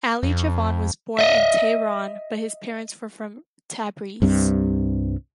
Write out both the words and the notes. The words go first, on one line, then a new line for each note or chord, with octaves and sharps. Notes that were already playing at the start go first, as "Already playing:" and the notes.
Ali Javan was born in Tehran, but his parents were from Tabriz.
F2
D#5 E5
C2 G2 C3